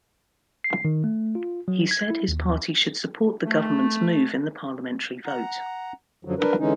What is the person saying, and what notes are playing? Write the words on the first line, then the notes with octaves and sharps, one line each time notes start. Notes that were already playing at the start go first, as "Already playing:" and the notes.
He said his party should support the government's move in the parliamentary vote.
C7
D#3
A3
F4
F#3
G#6
E4
D#2
A3
F#5 A#5
F#2 D3 F3 F#3
D4 A#4 B4
D3 E3 G#3 C#4 D#4